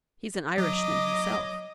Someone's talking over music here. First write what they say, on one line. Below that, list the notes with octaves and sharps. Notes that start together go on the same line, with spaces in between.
"He's an Irishman himself."
F#3 D#5 D6